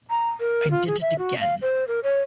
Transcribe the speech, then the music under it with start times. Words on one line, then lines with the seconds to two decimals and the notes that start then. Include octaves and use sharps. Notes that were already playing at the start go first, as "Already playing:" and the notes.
I Did It Again.
0.10 A#5
0.40 A#4
0.71 F4
0.87 G#4
1.01 E5
1.18 F#4
1.40 F5
1.62 C5
1.88 A#4
2.04 C#5